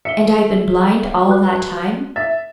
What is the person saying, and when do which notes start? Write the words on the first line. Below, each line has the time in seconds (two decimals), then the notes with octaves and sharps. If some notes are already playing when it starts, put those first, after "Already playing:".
"And I've been blind all that time?"
0.05 E5 C#7 G7
0.39 G#4
1.27 F#4 B4 F#6
2.16 E5 A6